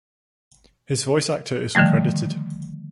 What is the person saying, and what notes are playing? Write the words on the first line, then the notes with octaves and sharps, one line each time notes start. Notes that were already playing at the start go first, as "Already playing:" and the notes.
His voice actor is uncredited.
D3 D#3 F3 G3 A3